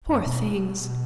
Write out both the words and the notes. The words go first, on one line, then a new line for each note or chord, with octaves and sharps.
"Poor things!"
F#2
B2